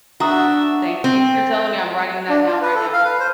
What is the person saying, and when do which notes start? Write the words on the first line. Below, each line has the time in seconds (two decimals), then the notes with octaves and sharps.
Thank you for telling me, I'm writing that down right now.
0.20 D4 F#4 E5 F#5 A#5 D#6
1.04 C4
2.29 D4
2.46 F4
2.62 B4
2.75 A4
2.93 F5
3.04 B4
3.20 C5